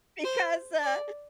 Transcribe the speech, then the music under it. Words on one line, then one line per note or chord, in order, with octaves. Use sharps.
Because, uh,
C5
D5